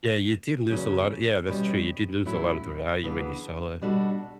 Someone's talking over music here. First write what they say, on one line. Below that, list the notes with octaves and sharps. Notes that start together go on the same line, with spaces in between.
Yeah, you did lose a lot Yeah, that's true, you did lose a lot of the value when you sell it.
E2 C#3 F#3 C#4
E2 B2 G3 C#4
A2 F#3 C#4 E4
C#3 E3 B3 D4
B2 G3 D4 F#4 A4